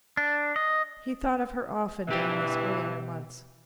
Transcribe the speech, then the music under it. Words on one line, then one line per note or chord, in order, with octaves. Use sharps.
He thought of her often during these earlier months.
D4
D#5
G2 B2 E3 G4 G5